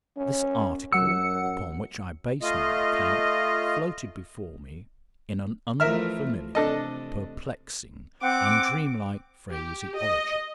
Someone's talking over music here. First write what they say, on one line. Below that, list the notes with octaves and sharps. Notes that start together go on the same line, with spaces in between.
This article upon which I base my account floated before me in an unfamiliar, perplexing, and dream-like phraseology.
C#4
F#2 F#3 F#5 E6 C#7
A3 F4 D#5
E3 F3 A3 A#4 E5 F6
C3 D4 A4 D#5
C4 F#5 D6
G4
D#5